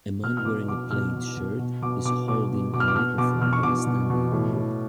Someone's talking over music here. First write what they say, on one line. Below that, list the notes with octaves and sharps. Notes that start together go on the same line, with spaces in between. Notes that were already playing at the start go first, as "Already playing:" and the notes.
A man wearing a plaid shirt is holding a microphone while standing in a room.
B2 F6
F6
B2 D6
B2 D6
B2 F6
B2
B2
B2
B2 D6
B2 D6
B2 D6
B2
B2 D6
F6
D6
B2 F6
B2 D6
B2 F6
C#6
B2 D6
B2
B2
A2
A2